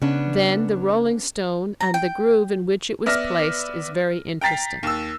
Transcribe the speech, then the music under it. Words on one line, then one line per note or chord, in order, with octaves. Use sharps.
Then the "rolling stone" and the groove in which it was placed is very interesting.
C#3 B3 C#4 D4
A#5
G5
B3 D5 E5 F6 A#6
G5 A#5 A6 B6 C7
D#2 E6